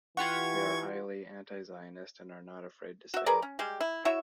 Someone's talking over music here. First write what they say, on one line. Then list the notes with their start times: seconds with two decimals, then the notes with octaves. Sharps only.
We are highly anti-Zionist and are not afraid to say it.
0.17 E3 F4 G4 F#5 C#6 G#6
3.14 F#4 E5
3.26 G#4 A#4 B4 D5
3.42 C#4
3.59 G3 G#3 G4
3.80 E4
4.05 E4 F#4 C#5 E5